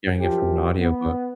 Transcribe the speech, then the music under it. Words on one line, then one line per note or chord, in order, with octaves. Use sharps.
hearing it from an audiobook.
F#2 F3 G4
B3